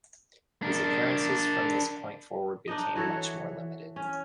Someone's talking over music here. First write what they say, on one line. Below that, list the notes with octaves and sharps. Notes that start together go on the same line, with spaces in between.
His appearances from this point forward became much more limited.
D4 A#4
D4 D#4 D#5
E3 F#4 A4 C#5
C#4